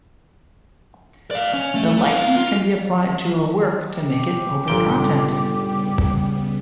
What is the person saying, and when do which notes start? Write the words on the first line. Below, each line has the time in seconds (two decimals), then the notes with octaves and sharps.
The license can be applied to a work to make it open content.
1.31 D5 F5
1.54 C#4
1.75 A3
2.06 B3 F5
2.36 F4
3.90 G4
4.68 G1 A#2 C#3 G3 B3 G5